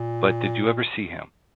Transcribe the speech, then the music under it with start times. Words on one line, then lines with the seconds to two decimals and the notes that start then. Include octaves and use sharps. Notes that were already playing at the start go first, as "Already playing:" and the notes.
But did you never see him?
Already playing: A#2